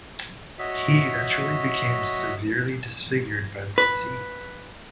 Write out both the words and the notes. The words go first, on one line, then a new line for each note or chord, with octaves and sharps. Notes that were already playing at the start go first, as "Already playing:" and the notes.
He eventually became severely disfigured by the disease.
F#4 C#5 D#5 E5
B4